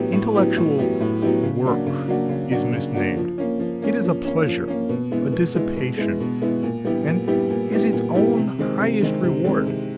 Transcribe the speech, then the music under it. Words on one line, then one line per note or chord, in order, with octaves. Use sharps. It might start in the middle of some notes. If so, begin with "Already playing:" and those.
Intellectual "work" is misnamed; it is a pleasure, a dissipation, and is its own highest reward.
Already playing: A2 F#3 B3 E4 G4
A2
F#3 B3 E4 G4
A2
F#3 B3 E4 G4
A2
F#3 B3 E4 G4
C#3
F#3 A#3 D4 F#4
C#3
F#3 A#3 D4 F#4
C#3
F#3 A#3 D4 F#4
C#3
F#3 A#3 D4 F#4
F3
A#3 C#4
F3
A#3 C#4
F3
A#3 C#4
F3
A#3 C#4
B2
G#3 B3 E4
B2
G#3 B3 E4
B2
G#3 B3 E4
B2
G#3 B3 E4
A#2
G3 B3 E4 G4
A#2
G3 B3 E4 G4
A#2
G3 B3 E4 G4
A#2
G3 B3 E4 G4
C3
D#3 G#3 C4
C3
D#3 G#3 C4
C3
D#3 G#3 C4
C3